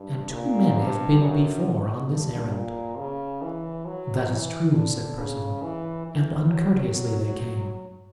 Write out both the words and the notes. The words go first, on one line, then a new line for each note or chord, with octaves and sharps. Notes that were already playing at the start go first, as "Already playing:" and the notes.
And two men have been before on this errand." "That is true," said Perceval; "and uncourteously they came.
Already playing: G2
A#2
G2
F#2
G2
A#2
C#3
E3
F#3
E3
D3
C#3
E3
E3
F#3